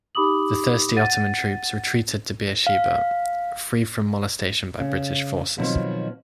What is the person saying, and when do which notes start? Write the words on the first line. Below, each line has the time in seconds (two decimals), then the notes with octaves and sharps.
The thirsty Ottoman troops retreated to Beersheba, free from molestation by British forces.
0.15 D#4 G4 B5 D6 D#6 F#7
0.96 F#5 A6 D#7
2.67 F5
4.79 C#3
5.58 B2 D#3 F3 F#3 B3 C4